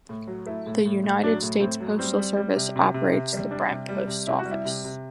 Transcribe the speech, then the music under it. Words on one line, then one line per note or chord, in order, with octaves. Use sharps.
The United States Postal Service operates the Brent Post Office.
A2
F#3
A3 E4
A2
A2
A2
F#3 D4
A2
A2 C4
F#3
G3 C4
G3
G3
C3
C3
C3
C3
G3
G3 D4
C3
G3
C3
C3 E4
F#4
G3
E4
C3
C3